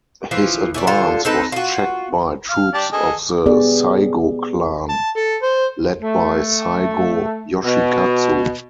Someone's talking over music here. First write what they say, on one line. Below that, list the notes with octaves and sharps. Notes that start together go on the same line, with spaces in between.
His advance was checked by troops of the Saigo clan, led by Saigo Yoshikatsu.
E3 F3 F4
E3 A3 D5
D3 F3 F4 A4
C4 D#4 A4 B4
F4 F#4
F5
G4 D5 A5
G#4 A4 D#5
B3 G4 G#4 D5
A5
A4
C5
A3
B2